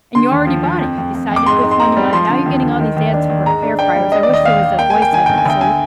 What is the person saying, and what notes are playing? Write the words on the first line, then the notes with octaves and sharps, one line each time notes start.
and you already bought it, you decided which one you want, now you're getting all these ads for air fryers, I wish there was a voice I could say,
D3 C6
D#2
F3
F3
F2
F2
F2
F2
D6
G#2 C6
D#4
C6
C4 A#5
G3
F3 C6
D3
D#2
D3
D#3
D#2
D4
D#2
G#2 A#5
D4
D4 G5
G3
D4 D#5
D5
D#2 D#5
D#2 F5
D#2
A#3 G5
A#3 G#5
G5
D#3 G#5
G1 G5
G#5
D2 G5
D3 G#5